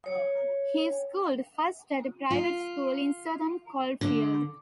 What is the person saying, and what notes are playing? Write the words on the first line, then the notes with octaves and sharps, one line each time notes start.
He schooled first at a private school in Sutton Coldfield.
C#5
F4
D3